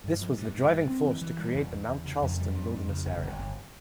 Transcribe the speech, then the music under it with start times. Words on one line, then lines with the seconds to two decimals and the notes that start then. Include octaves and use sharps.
This was the driving force to create the Mount Charleston Wilderness area.
0.04 G2
0.21 F3
0.37 G2
0.54 G2
0.71 G2
0.88 C4
1.05 E3
1.21 E3
1.39 G3
1.55 E2
1.72 E2
1.89 E2
2.05 C#3
2.22 F2
2.39 G3
2.55 F2
2.72 F2
2.89 C#3
3.05 G1
3.23 G1
3.39 G1